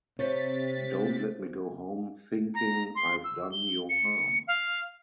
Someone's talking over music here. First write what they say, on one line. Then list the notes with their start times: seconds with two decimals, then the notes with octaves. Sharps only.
Don’t let me go home thinking I’ve done you harm.
0.19 C3 C5 C#5 A6 B6
2.54 A#5
2.95 C6
3.24 E6
3.52 G7
3.89 C#7
4.48 F5